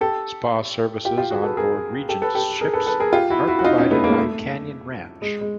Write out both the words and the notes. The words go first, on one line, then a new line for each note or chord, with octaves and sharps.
Spa services on-board Regent ships are provided by Canyon Ranch.
G4 A4
F4 G4
F4 G4
F#4 G#4
A4 B4
G#4 A#4
G4 A4
A4 B4
G4 A4
G#4 A#4
A4 B4
A4 B4
G#4 A#4
F4 G4
E4 F#4
E4 F#4
F#4
D#4 F4
C#4 D#4
A3 B3
G#3 A#3
A3
G#3
G#3